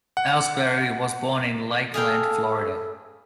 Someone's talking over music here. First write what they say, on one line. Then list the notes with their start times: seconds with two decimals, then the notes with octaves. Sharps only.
Elsberry was born in Lakeland, Florida.
0.17 F#5
1.94 G#4 A4 F5 G5